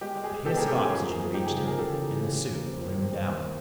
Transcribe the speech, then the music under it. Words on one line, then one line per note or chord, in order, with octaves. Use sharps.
A hiss of oxygen reached him and the suit ballooned out.
G#3 G4
G#3
G#4
G#3
B2 G4 A4
G#3 G#4 A#4
G4 A4
C#4 G#4
F3 G#4
A#3
G#4
F3
D#4 G4
C#3 G#4
F3 G#4 A#4
C#3 G4 A4
E3
G#4
C#3
C#3 G4
E3
A#3
C4
D#2
C4
G3
D#2